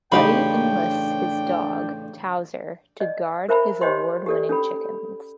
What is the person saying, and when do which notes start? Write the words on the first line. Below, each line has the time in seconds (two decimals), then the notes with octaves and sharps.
Buddy enlists his dog, Towser, to guard his award-winning chickens.
0.12 A1 C#3 D4 D#4 G4 G5 B5
3.00 D5 D#5
3.49 A#4 C5 E5 A#5 B5
3.81 G4 C5 C#5 D#5 G5 C6
4.26 G4 A4 D5
4.49 C#4 A4 B5